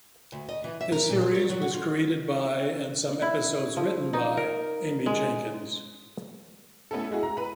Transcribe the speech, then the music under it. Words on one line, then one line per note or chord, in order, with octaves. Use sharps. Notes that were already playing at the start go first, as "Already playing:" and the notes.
The series was created by, and some episodes written by, Amy Jenkins.
D2
D#5
E3
E5
A#4
A#2
F4
C#5
F#3
F#4
F4
E4
F3
D#4
A#4
G#3
A3 B3 C#4 E4 A4
G#3 E4 F#4 G#4
A#5
B4 B5